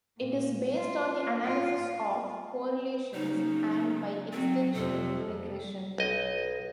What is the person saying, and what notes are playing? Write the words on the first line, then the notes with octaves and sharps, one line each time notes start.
It is based on the analysis of correlations and, by extension, regression.
A#2
F4
F4
C#3 F#3 A#3 D#4
F#3 C4
F2 C3 A4
B1 D#5